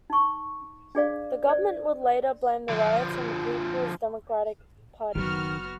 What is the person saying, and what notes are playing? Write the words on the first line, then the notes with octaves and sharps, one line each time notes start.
The Government would later blame the riots on the People's Democratic Party.
D#4 C#6
D4 G#4 D5 F5
C5 D5
D3 F3
F#1 D#3 F#3 B3 F#4 F6